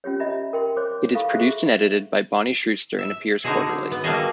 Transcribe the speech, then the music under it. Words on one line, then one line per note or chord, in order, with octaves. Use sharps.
It is produced and edited by Bonnie Schuster and appears quarterly.
C#4 F4 G4 C#5
D#5 E5 A#5 B5
A#4 G5 C6
C5 C#5 C6 D6
E4 A4 F5 B5 C#6
F#4 G#4 C5 E5 C#6
E5
D3 D#4 E4 F#4 G#4
B3
G3 A3 A#3 F#4 G#4 D#5